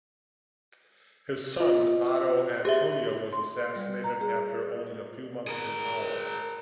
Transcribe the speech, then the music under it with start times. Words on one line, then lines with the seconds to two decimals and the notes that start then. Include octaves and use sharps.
His son, Oddo Antonio, was assassinated after only a few months in power.
1.60 F4 D#5
2.65 G4 G#4 E5
3.33 C6
3.76 G3
4.04 A#5
4.21 G#4
5.47 G#4 A#4